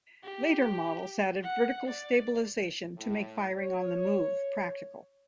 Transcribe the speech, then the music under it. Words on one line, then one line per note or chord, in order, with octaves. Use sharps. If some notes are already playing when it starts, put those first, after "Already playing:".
Later models added vertical stabilization to make firing on the move practical.
G4
F#5
D5
A2
C#5